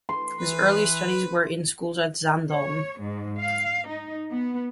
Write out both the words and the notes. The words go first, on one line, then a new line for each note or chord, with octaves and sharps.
His early studies were in schools at Zaandam.
C6
E3 B4
C#5
G#2
F5
D#4
B3